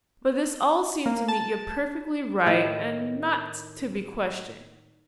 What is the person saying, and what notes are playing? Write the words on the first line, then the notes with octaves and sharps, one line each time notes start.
But this all seemed to Mitya perfectly right and not to be questioned.
A#3
A5
A2 D#3 E4